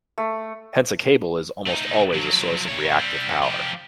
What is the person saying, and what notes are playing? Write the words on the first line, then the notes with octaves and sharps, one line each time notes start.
Hence a cable is almost always a source of reactive power.
A3
A3 D#4
F3 F#3
A#2 C#5
G3 C4
F2
F3 G4